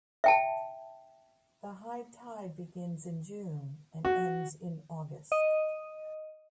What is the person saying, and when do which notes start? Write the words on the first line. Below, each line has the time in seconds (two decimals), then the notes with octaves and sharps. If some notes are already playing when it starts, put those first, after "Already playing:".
The high tide begins in June and ends in August.
0.24 E5 G5 A5
4.05 F#4
5.32 D#5